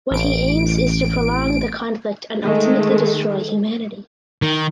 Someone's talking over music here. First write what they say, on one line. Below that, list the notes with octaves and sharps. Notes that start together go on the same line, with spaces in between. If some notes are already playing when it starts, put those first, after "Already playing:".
What he aims is to prolong the conflict and ultimately destroy humanity.
A1 D7
D#3 G#3 A3
D#3